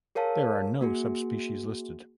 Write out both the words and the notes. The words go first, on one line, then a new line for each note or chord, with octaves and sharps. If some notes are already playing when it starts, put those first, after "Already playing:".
There are no subspecies listed.
G#4 A#4 C#5 F5 A5
A#3 F#4 G#4